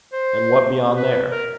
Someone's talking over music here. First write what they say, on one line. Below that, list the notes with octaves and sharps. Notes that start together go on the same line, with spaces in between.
"And what beyond there?"
C5
B4
A#4